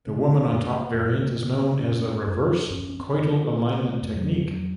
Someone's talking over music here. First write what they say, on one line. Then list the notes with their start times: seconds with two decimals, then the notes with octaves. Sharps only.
The woman on top variant is known as the reverse coital alignment technique.
0.07 C#3 C4
0.29 C4
0.51 F#2 A#3
0.74 A#3
0.95 F#2 A#3
1.04 A3
1.13 A#3
1.25 C4
1.39 C#3
1.54 C4
1.82 F#2 C#4
2.27 F#2
2.70 F#2 C#4
2.89 C#4
3.00 C4
3.15 C#3
3.30 C4
3.58 C3 A#3
3.88 A3
4.02 F2
4.16 F#3
4.46 F2 F#3